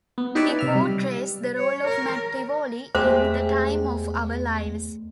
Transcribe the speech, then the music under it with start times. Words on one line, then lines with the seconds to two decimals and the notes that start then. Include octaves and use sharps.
He portrays the role of Matt Tivolli in "The Time of Our Lives".
0.18 B3
0.35 D#4 G4 B4 C#5 D5 E5
0.59 C3 E5 F6
0.75 G3
1.57 C#5
1.88 A#4
2.95 E2 G#3 A3 G4 C5 E5